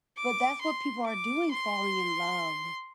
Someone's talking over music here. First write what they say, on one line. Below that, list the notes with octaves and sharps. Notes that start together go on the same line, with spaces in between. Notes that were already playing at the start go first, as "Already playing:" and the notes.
But that's what people are doing falling in love,
D6
C6
D6
C6